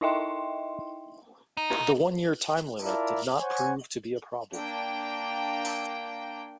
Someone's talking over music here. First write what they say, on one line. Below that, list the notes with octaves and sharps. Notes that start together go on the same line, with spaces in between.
The one year time limit did not prove to be a problem.
D#4 E4 D#5 E5 G5 C6
D#4
E4 F4 A#4 D5 A5
C5 C#5 F#5 G#5
A#3 D4 G5